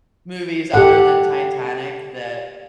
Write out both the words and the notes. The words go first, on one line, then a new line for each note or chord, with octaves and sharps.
movies other than Titanic that
G4 A4 F#5